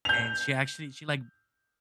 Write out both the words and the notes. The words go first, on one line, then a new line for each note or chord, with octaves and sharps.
and she actually, she like
G6 F7